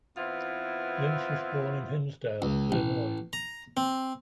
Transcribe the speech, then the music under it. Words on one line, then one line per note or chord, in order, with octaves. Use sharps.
Lynch was born in Hinsdale, Illinois.
E3 B3 C4 E4 F4
C#2
A1
A#5
C4